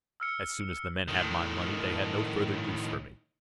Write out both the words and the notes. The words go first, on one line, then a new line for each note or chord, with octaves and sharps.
As soon as the men had my money they had no further use for me.
E6 F6 C#7
A2 D#3